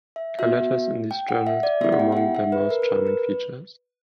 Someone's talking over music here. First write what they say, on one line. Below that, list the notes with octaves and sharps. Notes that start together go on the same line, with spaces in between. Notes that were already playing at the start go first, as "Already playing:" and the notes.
Her letters in these journals were among their most charming features.
E5
B3 F#4 E5
G5
F#5
E5
D5
B3 E4 G4 E5
F#5
G5
E5
F#5
E5
B4
A#4
B4
A#4
B4